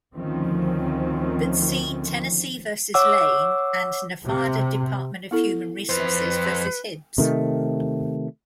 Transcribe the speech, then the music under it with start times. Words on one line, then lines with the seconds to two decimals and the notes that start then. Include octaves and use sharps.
But see "Tennessee versus Lane" and "Nevada Department of Human Resources versus Hibbs".
0.16 D2 D#3 F3 C4 C#4
2.94 C#5 F#5 D6 E6
4.26 C3
5.31 B3 E4 A4
5.89 F2 B4 C5
7.18 C3 D#3 A3